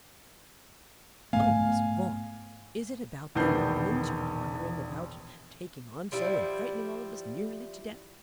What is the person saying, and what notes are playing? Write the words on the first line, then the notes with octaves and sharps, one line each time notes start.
"Oh, Miss Vaughan, is it about them willains you are wandering about and taking on so, and frightening all of us nearly to death?"
G#2 A3 B3 F5 G#5
E1 A#1 D#3 B3 G6 C7
F3 G3 E4